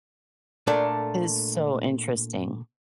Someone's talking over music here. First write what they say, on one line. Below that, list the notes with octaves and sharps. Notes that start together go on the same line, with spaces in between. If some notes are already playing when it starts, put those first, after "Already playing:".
It is so interesting.
A#2 A3 D4 A4 A#4